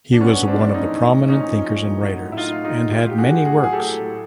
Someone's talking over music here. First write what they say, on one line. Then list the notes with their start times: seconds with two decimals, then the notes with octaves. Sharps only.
He was one of the prominent thinkers and writers and had many works.
0.13 D4
0.20 F#3 B3 C#4
0.39 C#3
0.48 C4 D4
0.56 F2
0.74 A2 C#4 D#4
0.93 E3
1.12 A2
1.29 A#2 C#4 D#4
1.47 F3
1.65 A#2
1.83 A2
2.01 F#3
2.19 A2
2.32 E4
2.37 A2 D#4 F4
2.56 F#3
2.65 D#4 F4
2.73 A2
2.91 F#3 F4 G4
3.09 D#3 G4
3.18 F#4 G#4
3.28 G2
3.45 A2 F#4 G#4
3.64 F#3 G#4
3.73 G4 A4
3.82 A2
4.00 A2